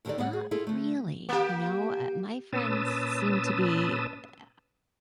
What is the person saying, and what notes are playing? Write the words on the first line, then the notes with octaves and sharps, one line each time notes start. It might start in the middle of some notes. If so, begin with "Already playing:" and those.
not really. You know, uh, my friends s seem to be, uh
D#2 D3 D#3 G4 A4 D5
A2 G3 F#5
G#4
E4 F4 G#4 A4
D3 A3
A#3 G4
A#2 C#4 B4 A5 D#6 E6